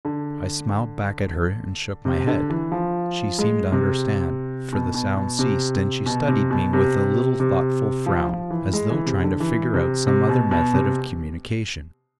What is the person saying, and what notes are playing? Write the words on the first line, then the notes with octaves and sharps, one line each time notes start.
I smiled back at her and shook my head. She seemed to understand, for the sound ceased, and she studied me with a little thoughtful frown, as though trying to figure out some other method of communication.
D3
C3
D3
E3
F3
G#3
C3
B2
B2
B2
C3
B2
C3
B2
C3
C3
F3
F3
E3
G#3
E3
C3
D3
E3
C3
C3
B2
B2
C3